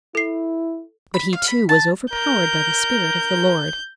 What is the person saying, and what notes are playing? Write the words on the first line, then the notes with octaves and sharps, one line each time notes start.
But he, too, was overpowered by the spirit of the Lord.
E4 A4 C7
B5
F5
B5
A5
A#4 G6